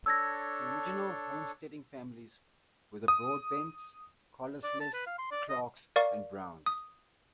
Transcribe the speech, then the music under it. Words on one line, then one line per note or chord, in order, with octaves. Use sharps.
The original homesteading families were the Broadbents, Carlisles, Clarks, and Browns.
D4 A4 C#5 E6 G#6 A#6
D#6
D5
A5
B4
F5
C6
D5
D#5
A#4 D5 F5 C#6
D#6